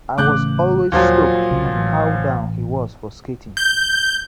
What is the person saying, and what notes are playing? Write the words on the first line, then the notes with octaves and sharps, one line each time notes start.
I was always stoked on how down he was for skating.
A1 C#3 A3 D6 F#6 G6
D#2 A#2 F3 F#3
C2 C#3
A1
G6